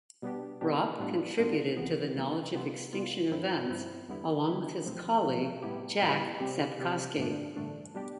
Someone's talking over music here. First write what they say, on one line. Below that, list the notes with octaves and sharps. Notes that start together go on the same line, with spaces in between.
Raup contributed to the knowledge of extinction events along with his colleague Jack Sepkoski.
B2 G3 B3 D4 G4
B2 G3 B3 D4 G4
A2 G3 B3 D4 F4
A2 G3 B3 D4 F4
C2 C3 E3 B3
C2 C3 E3 B3
C3 G3 B3 F4
C3 G3 B3 F4
G2 F3 C4 E4
G2 F3 C4 E4
E2 D3 G3 B3 E4
E2 D3 G3 B3 E4
B1 A2 F3 C4
B1 A2 F3 C4
A2 G3 B3 E4 G4
A2 G3 B3 E4 G4
C3 G3 C4 G4
C3 G3 C4 G4
A1 G2 D3 A3 D4
A1 G2 D3 A3 D4
B2 G3 D4 G4